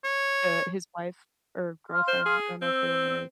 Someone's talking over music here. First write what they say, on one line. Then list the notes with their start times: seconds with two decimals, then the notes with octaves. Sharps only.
Uh, his wife or girlfriend, I don't know if they were married.
0.04 C#5
1.90 F5 C6 F6
2.08 C5
2.26 G#4
2.62 C4 E6